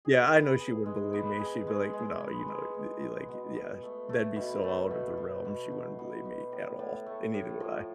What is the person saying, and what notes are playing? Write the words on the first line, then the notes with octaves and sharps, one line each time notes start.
Yeah, I know she wouldn't believe me, she'd be like, "No," you know, th i like i Yeah. That'd be so out of the realm, she wouldn't believe me at all, and neither would I.
G#4
B3
G#4
G#3
B3
G#4
G#3
G#3
B3
G#3
G#3
B3
B2
B2
A3
A3
B2
A3
B2
B2
B2
B2
B2
B2
A2
A2
A3
A2
F3